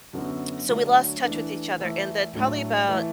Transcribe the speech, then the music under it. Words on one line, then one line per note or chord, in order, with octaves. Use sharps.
So, we lost touch with each other and then probably about,
F#2 D3 B3 F#4 A4
D3 F#3 A3 D4 F#4
E3 A3 D4 A4
E3 A3 E4
A2 F#3 A3 D4
E3 A3 E4